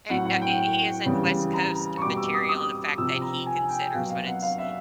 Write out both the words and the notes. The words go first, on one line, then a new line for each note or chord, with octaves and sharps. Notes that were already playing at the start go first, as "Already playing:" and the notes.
He that h he isn't West Coast material in the fact that he considers when it's
A2 F#3 F#5
F#5
G5
C#3 E3 G3
A#5
C#6
B2 G3 D6
E6
D#6
D#6
C3 F3 E6
A#5
G#5
G5
B2 F#3 F5
F5
F#5
F5
E5